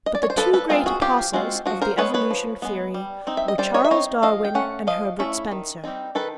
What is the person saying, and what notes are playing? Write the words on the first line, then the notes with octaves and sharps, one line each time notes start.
But the two great apostles of the evolution theory were Charles Darwin and Herbert Spencer.
D#5
D5
C#5
C5
F3 A4 B4
A4 B4
G#3 C4 F4 G#4 A#4
F#4 G#4
F3 F4 G4
G#3 C4 F4 F#4
F3 F#4
A#4 C5
G#3 B3 B4 C#5
B4 C#5
F3
G#3 B3
G3
C4 D#4
E5
D#5
G3 C5 D5
C#5 D#5
E5
C4 D#4 C#5 D#5
F3 D#5 F5
G5
A3 C#4 F#5
F3 D#5 F5
A3 C#4 E4 E5
D#3
G3 C4 D#4
D#3 A4 B4